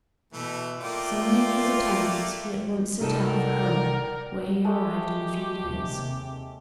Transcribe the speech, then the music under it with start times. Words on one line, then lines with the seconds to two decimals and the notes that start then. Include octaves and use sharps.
Summoning his attendants, he at once set out for home, where he arrived in a few days.
0.33 B2 E3 A3
0.80 A3 A#3 F4 D5 G5
3.01 C2 D#4 A4 A#4 D5 F#5 G5
4.64 G#3 A3 G4
5.63 D#2 C3